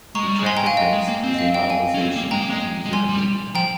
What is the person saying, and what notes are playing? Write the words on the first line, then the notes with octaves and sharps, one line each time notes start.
A traffic mix is a modelisation of user behaviour.
G#3 A#5 C#6
G3
G#3
G#5 C6
G5 A#5
F5 G#5
D#5 G5
G#3
A#3
C4
D#5
F5
D#5 G5
F5 G#5
C#4
C4
A#3
G#3 G5 A#5
A#3
G#3
G#3
G3 G#5 C6
G3
F3 G5 A#5